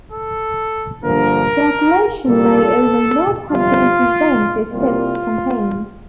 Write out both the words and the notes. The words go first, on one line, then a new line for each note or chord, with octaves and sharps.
Diocletian may or may not have been present to assist the campaign.
A4
G2 D3 F3 A#3 A#4
C2 A#2 G3 A#3 A4
G1 F2 C3 G3 F4
C2 C3 G3 A#3 F4